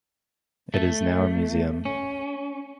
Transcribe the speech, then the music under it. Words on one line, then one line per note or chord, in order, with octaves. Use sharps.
It is now a museum.
A3
C#4